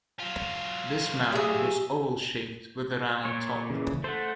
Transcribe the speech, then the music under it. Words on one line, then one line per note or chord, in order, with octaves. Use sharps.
This mound was oval shaped with a round top.
F#3 F4
G4 G#4 E5
A#2 C#5
C#3 E3
A3 C5 F#5